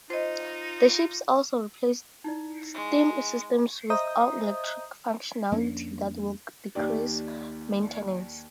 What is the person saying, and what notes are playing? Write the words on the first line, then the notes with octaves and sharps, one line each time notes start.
The ships also replaced steam systems with all-electric functionality that will decrease maintenance.
D#4 F4 C5 D#5
D#4 E4 D5
G#3 C#6
C5 D#5 E5 A#5 D#6 G6
F2 A#3 C#4 D4
D#2 G4 D5